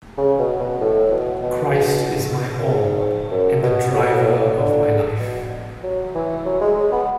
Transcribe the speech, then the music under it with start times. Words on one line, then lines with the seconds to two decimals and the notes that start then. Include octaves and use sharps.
Christ is my all and the driver of my life.
0.17 C#3
0.39 B2
0.59 B2
0.81 A2
1.11 B2
1.43 B2
2.58 F#2
2.69 G#2
3.31 F#2
3.63 B2
3.94 A2
4.02 B2
4.10 A2
4.17 B2
4.25 A2
4.32 B2
4.39 A2
4.57 D3
5.20 B2
5.83 F#3
6.15 E3
6.46 F#3
6.61 G#3
6.77 G#3
6.92 B3